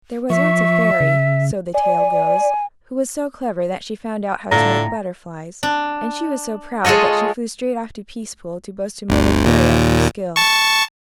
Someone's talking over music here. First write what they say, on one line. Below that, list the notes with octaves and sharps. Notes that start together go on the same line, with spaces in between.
There was once a fairy, so the tale goes, who was so clever that she found out how to make butterflies, and she was so proud that she flew straight off to Peacepool to boast to Mother Carey of her skill.
F3 E5 C#6
C#3
D5 G#5
A2 D3 F4 A#5 A#6
D4
G#3 F4 A4 C#5 D#5
G1 D2
D#2 A#2
A5 C#6